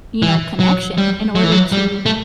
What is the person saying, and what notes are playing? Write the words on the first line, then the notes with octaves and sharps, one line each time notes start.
you know, connection, in order to
E3
F#3
G3
F#3
E3
F#3
G3
A3